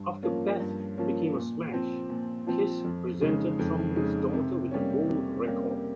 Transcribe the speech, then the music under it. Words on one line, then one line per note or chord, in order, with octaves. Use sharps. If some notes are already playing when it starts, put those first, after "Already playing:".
After "Beth" became a smash, Kiss presented Trombley's daughter with a gold record.
Already playing: G2
F3 A#3 C#4
G2
F3 A#3 C#4
A#2
F3 C4
A#2
F3 C4
F2
C#3 G#3 D#4
F2
C#3 G#3 D#4
C3
G3 A#3 C#4
C3
G3 A#3 C#4